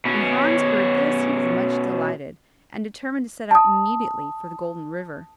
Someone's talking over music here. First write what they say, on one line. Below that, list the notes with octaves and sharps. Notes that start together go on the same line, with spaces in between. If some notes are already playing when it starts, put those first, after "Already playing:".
When Hans heard this, he was much delighted, and determined to set out immediately for the Golden River.
B2 C#4
A5 D#6